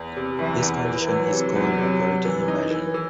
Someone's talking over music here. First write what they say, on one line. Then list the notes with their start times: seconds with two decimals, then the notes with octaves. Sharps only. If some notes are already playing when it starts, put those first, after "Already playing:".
This condition is called a priority inversion.
Already playing: E2
0.16 C3
0.39 E2 E3
0.62 E2
0.85 E3
1.09 E3 F#3
1.32 C3
1.55 E2
1.78 C3
2.02 C3
2.25 E3
2.48 D#4
2.71 E3
2.94 E3